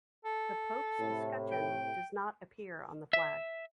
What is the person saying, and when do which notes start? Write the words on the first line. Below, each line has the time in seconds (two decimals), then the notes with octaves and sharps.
The pope's escucheon does not appear on the flag.
0.25 A4
1.01 A2 C3
1.51 G5
3.13 E5